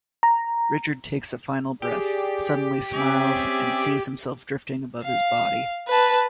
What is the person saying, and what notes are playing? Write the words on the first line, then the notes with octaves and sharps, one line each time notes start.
Richard takes a final breath, suddenly smiles, and sees himself drifting above his body.
A#5
G4 G#4 D5
C4 C#4 G#4 D5 E5
F5
B4 A5